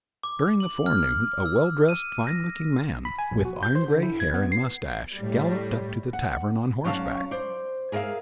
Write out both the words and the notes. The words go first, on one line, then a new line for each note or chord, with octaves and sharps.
During the forenoon a well-dressed, fine-looking man, with iron-gray hair and mustache, galloped up to the tavern on horseback.
D6
F#7
F6
E6
D#7
A#6
B5
G#5
A#1
F#4
G6
C5
D3
E4
G#6
B3
C7
A2 G3
F#5
F#3 C#4 D5 F5 A5
C5 D5
G#4 A#4 D5 E5 F5